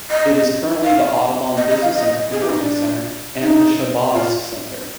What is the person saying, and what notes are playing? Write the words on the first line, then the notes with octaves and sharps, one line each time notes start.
It is currently the Audubon Business and Technology Center and the Shabazz Center.
D#5
F5
D#5
D#5
F5
D#5
G#4
G4
D#4
D4
D#4
F4